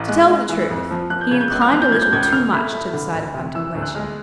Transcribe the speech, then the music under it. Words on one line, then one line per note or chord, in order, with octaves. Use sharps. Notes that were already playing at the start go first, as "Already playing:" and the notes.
To tell the truth, he inclined a little too much to the side of contemplation.
Already playing: A1 F6
G#3 F#6
G#3
E3
F2
F3
F3 F#6
G6
C#3 G#6
G6
C#2 F#6
F6
F3 F#6
G6
F3 G#6
G6
C#2 G#6
G6
D3 F6
A3 B5
A3
D3
D2
C3
E3 E6
D2
F#6
G#3 F6